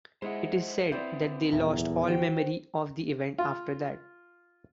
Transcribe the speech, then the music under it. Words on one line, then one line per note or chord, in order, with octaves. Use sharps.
It is said that they lost all memory of the event after that.
G#3 E4 C5 D#5 F#5
C4 E4 B4 C5 D5
D#1 E2 E5
D#3 F#4 C5 G5
F4